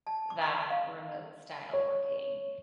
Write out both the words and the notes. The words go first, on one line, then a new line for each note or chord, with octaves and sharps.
that remote-style working,
A5
D6
C#6
F5
C#5